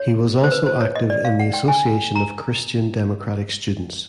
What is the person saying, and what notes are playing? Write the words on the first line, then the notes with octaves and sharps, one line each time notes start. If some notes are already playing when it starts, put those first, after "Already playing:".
He was also active in the Association of Christian Democratic Students.
Already playing: C#5
C5
B4
C5
C#5
D#5
D5
F5
F#5
G5
G#5
A#5